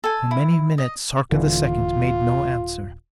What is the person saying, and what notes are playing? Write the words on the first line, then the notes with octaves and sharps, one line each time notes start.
For many minutes Sarka the Second made no answer.
A4 G#5
E4
D#5
D#1 D3 E3 F4